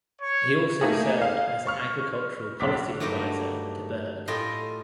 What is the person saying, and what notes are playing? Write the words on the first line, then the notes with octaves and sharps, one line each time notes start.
He also served as an agricultural policy advisor to Berg.
C#5
A3 A#3 D#4 G#4
F5
C#6 F6
B1 D6 B6
G2 F#3 A3 A#3 D#4
A2 F4 D#5 G5 G#5